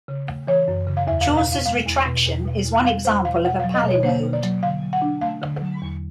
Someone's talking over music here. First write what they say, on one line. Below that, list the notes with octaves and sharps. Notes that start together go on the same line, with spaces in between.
Chaucer's Retraction is one example of a palinode.
C#3
A3
E3 C#5
F#2
C#3
F5
E2 E5
F5
B2
F5
E2
F5
G#3 F5
E2
B2
E2
B2
E2
G3 F5
E2 C5
B2 F5
B2 F#5
F#3 F5
D#5
B2 C#5
A#3 C5
B2
D5
F#3
D3 F5
F#3
F#5
D4
A3 F5
D3
F#3
E2